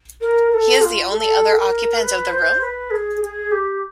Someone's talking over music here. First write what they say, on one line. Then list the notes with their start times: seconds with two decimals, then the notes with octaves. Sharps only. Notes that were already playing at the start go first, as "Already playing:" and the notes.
He is the only other occupant of the room?
0.21 A#4
0.51 A#4
0.54 A4
0.81 F4
1.11 A4
1.56 A#4
2.01 B4
2.32 C5
2.61 B4
2.91 G#4
3.21 G#4
3.51 G4